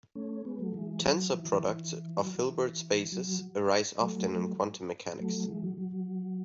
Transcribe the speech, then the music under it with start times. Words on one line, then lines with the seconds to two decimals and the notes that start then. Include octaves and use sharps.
Tensor products of Hilbert spaces arise often in quantum mechanics.
0.15 A3 C#4
0.45 G#3 B3
0.59 F#3 A3
0.74 E3 G#3
1.04 F#3
1.33 E3
1.49 E3
1.64 E3
2.22 F#3
2.37 E3
3.12 F#3
4.00 F#3 A3
5.19 F#3 A3
5.48 E3 G#3
5.64 F#3
5.78 F#3